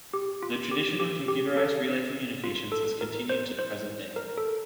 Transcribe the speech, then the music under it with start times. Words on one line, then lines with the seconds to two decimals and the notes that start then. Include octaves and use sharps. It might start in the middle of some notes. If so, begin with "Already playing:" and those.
The tradition of computerised relay communications has continued to the present day.
0.14 G4
0.43 F4
0.71 G4
1.00 G4
1.28 G4
1.57 A4
2.44 F4
2.72 A4
3.01 A#4
3.30 C5
3.59 C5
4.16 A#4
4.38 A4